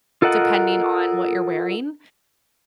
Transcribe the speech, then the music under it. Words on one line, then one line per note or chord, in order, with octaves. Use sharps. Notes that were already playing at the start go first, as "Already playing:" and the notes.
depending on what you're wearing,
F4 A4 A#4 D#5 F#5